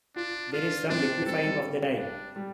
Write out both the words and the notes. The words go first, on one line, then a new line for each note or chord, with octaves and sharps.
There is some liquefying of the dye.
D4 F4
D4 F4
C4 D4
C4
G3 A4
G3
D4
G3